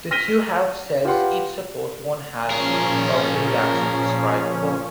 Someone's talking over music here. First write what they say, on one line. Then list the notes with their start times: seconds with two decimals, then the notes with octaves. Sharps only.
The two half cells each support one half of the reactions described above.
0.11 F6 A#6 B6 D#7 G7
1.04 F4 G4 B4 F#5 C6
2.51 A#2 F3 C#4 G#4 A#4